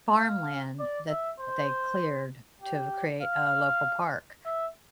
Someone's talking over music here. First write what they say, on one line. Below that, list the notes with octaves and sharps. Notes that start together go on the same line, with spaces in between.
farmland that they cleared to create a local park.
F5
D5
E5
C5
G4
F5
E5